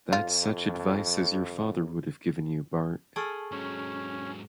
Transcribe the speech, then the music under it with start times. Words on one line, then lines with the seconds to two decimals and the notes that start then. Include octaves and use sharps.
That's such advice as your father would have given you, Bart.
0.13 F2 F4
3.16 G#4 A4 A5 C#6 F6
3.52 G#2 F#3 C#4